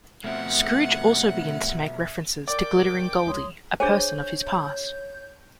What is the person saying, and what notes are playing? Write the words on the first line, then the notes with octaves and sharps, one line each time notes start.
Scrooge also begins to make references to "Glittering Goldie", a person of his past.
B2 F3 A3 C4 E5 F#5
A#4 D5 G5 D6
C#2 C#5 C6 D#6
D4 G#4 C5 C#5 G#5 G6